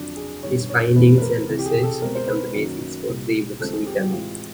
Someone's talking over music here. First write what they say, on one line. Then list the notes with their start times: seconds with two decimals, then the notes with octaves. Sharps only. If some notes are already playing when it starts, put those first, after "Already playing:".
His findings and research became the basis for three books in Tamil.
Already playing: F2 D3 F#3 D4
0.16 G#4
0.43 G2 D#3 G3 B3 C#5
0.70 C#5
0.96 E2 C3 E3 A3 C4 B4
1.18 B4
1.22 A#4
1.49 C2 C3 E3
1.59 G4
1.66 G#4
1.83 A4
2.02 B2 G#3 C4 A#4
2.15 C5
2.28 B4
2.55 F#2 D#3 F#3 A#3
3.08 C2 A#2 G3
3.59 D#2 C#3 F3 G#3 C4 A4
3.73 G#4
3.86 G4
4.00 F#4
4.12 A2 E3 G#3 C4 F4